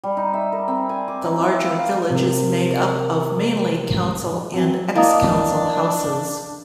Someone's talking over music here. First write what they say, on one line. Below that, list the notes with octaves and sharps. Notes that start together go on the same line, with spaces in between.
The larger village is made up of mainly council and ex-council houses.
G3
D#4
E5
A#4
C4
G#5
D6
D#4
E4
F5
F5
C3 A#4
F#3 C4
A#3 D4 E4 D#5 D#6